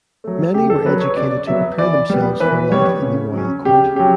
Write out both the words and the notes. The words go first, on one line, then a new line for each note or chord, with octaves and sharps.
Many were educated to prepare themselves for life in the royal court.
F#3 A3
C#3 G4
A4
F#3 B3 B4
C#5
C#3 D5
F#3 B3 E5
E3 D5
G3 B3
E3 B4
G3 B3 C#5
C#3
F#3 C#4
C#3 G4
F#3 C#4 G4